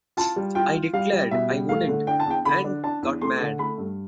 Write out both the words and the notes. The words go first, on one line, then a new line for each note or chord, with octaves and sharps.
I declared I wouldn't, and got mad.
F4 A5
G3
F4 G5
F4
G3 F5
G3
B2 E5
G3
A3 F5
D3
D4 G5
A5
E2 G5
D3 B5
D4
D4 A5
E2
A3 C6
D3
A3 B5
G2